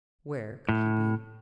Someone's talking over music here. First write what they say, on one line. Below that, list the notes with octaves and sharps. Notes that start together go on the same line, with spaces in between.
Where could he be?
A2